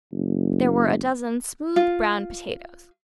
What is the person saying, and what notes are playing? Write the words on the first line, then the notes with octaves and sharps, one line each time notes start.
There were a dozen smooth, brown potatoes.
F#1
F4